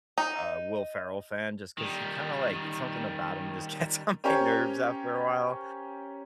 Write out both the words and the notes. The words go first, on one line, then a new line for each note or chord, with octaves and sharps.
uh, Will Ferrell fan just 'cause he kinda like something about him just gets on my nerves after a while,
D#4
D#3 G3
C#4 G4 A#4 C5 C#5